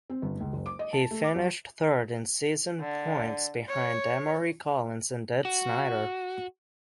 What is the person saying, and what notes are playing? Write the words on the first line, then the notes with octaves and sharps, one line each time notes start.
He finished third in season points behind Emory Collins and Deb Snyder.
C4
G1
C#2
F#1
D6
D#5
A5
A3
D6
F#3
D3
C#5
F#4